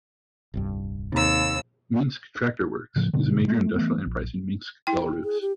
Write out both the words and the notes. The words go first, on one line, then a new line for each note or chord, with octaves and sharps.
Minsk Tractor Works is a major industrial enterprise in Minsk, Belarus.
D#1 C2 G2
D#2 C3 E6
A2 C#3 F3
G2 B2 D3
G#3 A3
E3 A3 B3
A#1
E4 G5
G#4
G4